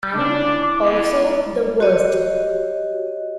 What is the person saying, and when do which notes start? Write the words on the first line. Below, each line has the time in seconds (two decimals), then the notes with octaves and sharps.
And also the worst.
0.14 C#3 D4 D6
0.45 E4
0.81 F2 B3
1.80 F#4 G4 C#5 D#5